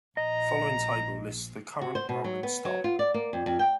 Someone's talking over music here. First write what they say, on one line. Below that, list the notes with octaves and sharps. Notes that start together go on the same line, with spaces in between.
The following table lists the current rolling stock.
A#1 D#5 A#5
F#4
C5
B2
F#3
B3
F#3
F4
D5
A#3
F2
F2
G5